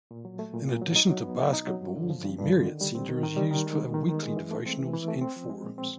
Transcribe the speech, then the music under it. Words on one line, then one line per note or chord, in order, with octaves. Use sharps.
In addition to basketball, the Marriott Center is used for weekly devotionals and forums.
A#2
F#3
A3
A#2
A#2
F#3
D#4
F#3
B3
B2
D#4
F#3
G2
D3
F3
G2
G2
D3
D#3
G3
C4
D#3
D#3
G3
D#3
G#3
B3
D#3
D#3
G#3
E3
A3
C4
E3
E3
A3
C4
F3
G#3
A#2
C4